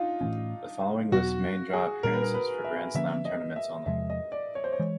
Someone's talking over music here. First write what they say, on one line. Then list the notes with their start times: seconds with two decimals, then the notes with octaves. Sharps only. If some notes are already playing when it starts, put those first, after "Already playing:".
The following lists main draw appearances for Grand Slam tournaments only.
Already playing: D4 D#4 F4
0.21 A2 E3 A3 C#4
1.12 E2 B2 F#3 B3 F#4
1.73 G#4
2.03 A#2 G3 B3 D4 A#4
2.13 B4
2.22 A#4
2.34 B4
2.64 E5
2.94 D3 F3 A#3 C#4 E5
3.25 D#5
3.56 E5
3.86 E2 C3 F3 G#3 E5
4.10 D#5
4.32 D5
4.55 C#5
4.64 C5
4.73 C#5
4.80 E3 G#3